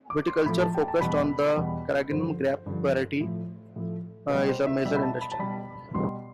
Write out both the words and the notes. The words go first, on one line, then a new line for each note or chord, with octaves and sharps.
Viticulture, focussed on the Carignan grape variety, is a major industry.
D6
C6
A2 F3 A3 B5
A5
G5
A5
E2 B2 G3 B5
E2 B2 G3
G2 D3 F3 C5
G2 D3 F3
A2 F3 A3
A2 F3 A3
B2 G3 B4
C5
E5
B2 G3 E5
B5
A5
B5
A5
B2 G3 B5
B2 G3 C6